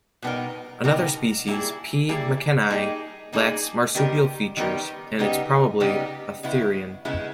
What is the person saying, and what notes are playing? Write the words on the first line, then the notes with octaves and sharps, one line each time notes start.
Another species, "P." "mckennai" lacks marsupial features, and is probably a therian.
B2 G3 B3 D#4 A#4
B2 G3 B3 D#4 A#4
G3 A#3 E4 G#4
G3 A#3 E4 G#4
G3 A#3 D#4 G#4
G3 A#3 D#4 G#4
D#3 G3 B3 G4 A#4
D#3 G3 B3 G4 A#4
C#3 G3 B3 D#4 G4
C#3 G3 B3 D#4 G4
C#3 G#3 B3 E4
C#3 G#3 B3 E4